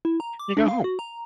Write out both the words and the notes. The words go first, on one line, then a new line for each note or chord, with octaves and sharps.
you go home.
E4
A#5
D6
D4
F5
F#4
A#5